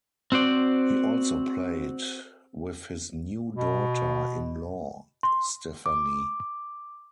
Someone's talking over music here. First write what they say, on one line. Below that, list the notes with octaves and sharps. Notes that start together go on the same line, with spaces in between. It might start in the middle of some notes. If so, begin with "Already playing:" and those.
He also played with his new daughter in law Stephanie.
C4 F#4 C5 D5
B2
C6
D6